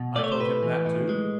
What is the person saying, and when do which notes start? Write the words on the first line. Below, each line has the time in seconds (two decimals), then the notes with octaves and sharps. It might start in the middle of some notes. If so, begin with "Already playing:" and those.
"I told him that too?"
Already playing: B2
0.16 A3 D5
0.24 C#5
0.32 C5
0.40 A2 B4
0.63 E3
0.86 A2
1.09 G#3